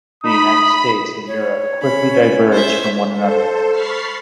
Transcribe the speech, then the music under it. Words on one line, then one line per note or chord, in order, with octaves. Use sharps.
The United States and Europe quickly diverged from one another.
D#4 B5 D#6
C#5
C#4 B5
C5 E5
A4 C5
B5 C#6 F6 A6 B6 C7